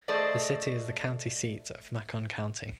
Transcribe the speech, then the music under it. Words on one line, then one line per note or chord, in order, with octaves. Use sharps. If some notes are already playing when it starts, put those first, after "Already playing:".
The city is the county seat of Macon County.
A3 G#4 A4 C5 D5 D#5